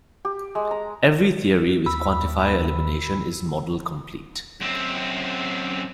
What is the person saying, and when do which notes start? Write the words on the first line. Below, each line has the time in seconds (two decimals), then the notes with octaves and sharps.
Every theory with quantifier elimination is model complete.
0.25 G4
0.55 G#3
0.71 A#5
1.86 D#2 B5 E6
4.60 F#2 C4